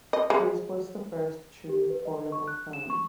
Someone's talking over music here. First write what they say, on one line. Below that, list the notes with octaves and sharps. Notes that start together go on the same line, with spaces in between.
His was the first true portable phone.
D#5
G#3
G4
B4
D#5
C#6
F#6
E7
C#6